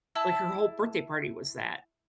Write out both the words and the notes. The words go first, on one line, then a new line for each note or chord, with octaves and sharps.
like, her whole birthday party was that.
E4 A5 E6